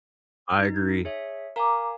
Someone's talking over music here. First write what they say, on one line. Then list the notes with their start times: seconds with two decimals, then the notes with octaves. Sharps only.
I agree.
0.59 D#4
1.05 G#4 C#5 E5
1.56 A#4 F5 G#5 A#5 D6